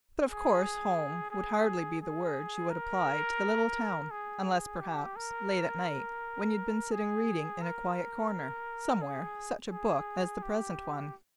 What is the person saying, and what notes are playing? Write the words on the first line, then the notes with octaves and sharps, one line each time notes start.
But of course "home" would hardly be the word you would apply to the little town, unless perhaps, late at night, when you'd been sitting reading in a quiet corner somewhere such a book as the present one.
G#4
G#4
G#4
A#4
G#4
G4
A#4
G#4
A#4
G#4
G#4
G4